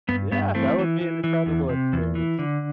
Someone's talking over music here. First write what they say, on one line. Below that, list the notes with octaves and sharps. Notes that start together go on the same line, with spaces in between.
Yeah, that would be an incredible experience.
G2 B3
G2 B3
E3 A3 C4
E3
E3
E3
E2
C3
E2
E3
D3